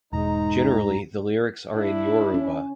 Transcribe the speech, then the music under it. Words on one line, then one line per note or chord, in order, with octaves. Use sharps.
Generally, the lyrics are in Yoruba.
E1 G#2 G#3 D#4 A#5
D4 E4
C#4